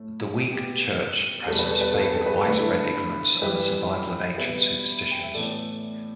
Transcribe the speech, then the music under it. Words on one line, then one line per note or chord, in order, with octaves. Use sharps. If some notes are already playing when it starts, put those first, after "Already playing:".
The weak church presence favored widespread ignorance and the survival of ancient superstitions.
Already playing: A2 A3
B2 B3 G4
E2 B2 G3 A4
B4
A4
B4
A4
B4
A4
B4
A4
G2 D3 A3 B4
E4 A4
G2 E3 G3 G4 B4
B2 G3 B3 B4 E5
G5
E5
A2 E3 B3 A4 D5